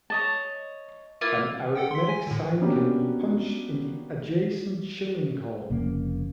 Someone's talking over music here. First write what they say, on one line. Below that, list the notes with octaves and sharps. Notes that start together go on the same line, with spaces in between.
An arithmetic sign can be punched in the adjacent shilling column.
C#5 D#5 A5
A#3 E4 F4
A4 F#5 G5
C6 B6
G#5
A2 D3
A#3 B3 C#4 D4 F#4 G4
F1 F2 C#3 A#3